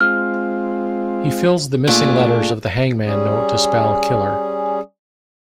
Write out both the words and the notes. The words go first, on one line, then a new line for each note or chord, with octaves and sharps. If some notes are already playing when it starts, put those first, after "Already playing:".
He fills the missing letters of the hangman note to spell killer.
G#3 C4 F4 F6
A#2 A3 D4 G#4
G3 C#4 G#4